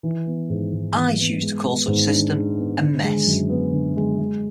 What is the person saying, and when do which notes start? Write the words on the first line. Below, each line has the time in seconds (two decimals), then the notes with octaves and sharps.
I choose to call such a system a mess.
0.03 E3
0.26 B3
0.50 G#2
0.73 G#2
0.96 E3
1.19 B3
1.42 G#3
1.65 B3
1.88 G#2
2.11 D4
2.34 G#3
2.57 B3
2.81 D3
3.04 G#3
3.27 F#2
3.49 B3
3.73 D3
3.96 G#3
4.19 G#3